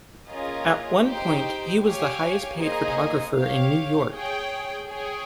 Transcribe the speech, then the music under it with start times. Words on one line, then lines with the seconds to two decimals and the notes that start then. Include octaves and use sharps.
At one point he was the highest paid photographer in New York.
0.29 A#3 C#4 F4 G#4 D#5
1.05 D#4 G4 C5 G5
1.82 G4 C#5 F5 G#5
2.58 A#3 D#4 G#4 C5 D#5
3.36 G4 C#5 F5
4.12 G#4 C#5 G5
4.89 G#4 C#5 G5